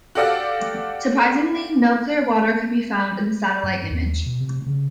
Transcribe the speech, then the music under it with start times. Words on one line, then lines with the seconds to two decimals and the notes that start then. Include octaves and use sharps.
Surprisingly no clear water could be found in the satellite image.
0.15 F#4 G4 A4 D5 F5 F#5
3.63 G2
3.91 D#2
4.26 B2
4.41 C3
4.66 C#3